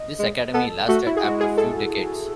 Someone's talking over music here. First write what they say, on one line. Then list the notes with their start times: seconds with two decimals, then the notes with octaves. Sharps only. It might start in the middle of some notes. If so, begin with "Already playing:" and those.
This academy lasted after few decades.
Already playing: D#5
0.20 G#3
0.54 B3 A4
0.88 A3 F#4
1.06 E4
1.17 G#4
1.23 G#3 F#4
1.40 G#4
1.58 A4